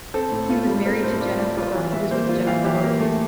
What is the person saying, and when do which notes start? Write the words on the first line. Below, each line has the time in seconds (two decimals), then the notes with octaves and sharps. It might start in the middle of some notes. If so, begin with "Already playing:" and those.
he was married to Jennifer or he was with Jennifer Lopez?
0.14 C4 A4
0.32 A2
0.50 F4
0.67 G3
0.85 C4 A#4
1.03 A2 C5
1.21 F4 D5
1.39 G3 D5
1.57 F4
1.75 E3
1.92 E3 E5
2.11 A#3 C5
2.29 F4
2.47 E3 F5
2.65 E3 G4
2.83 A#3
3.01 A3